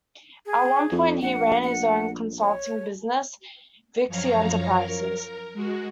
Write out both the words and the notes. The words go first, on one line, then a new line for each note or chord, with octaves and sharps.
At one point he ran his own consulting business, Vixie Enterprises.
G#4
F2
A#1 F#5
F#5
C#5
F#2 F3 C#5 F5 A#5
A#4
G#3 F#4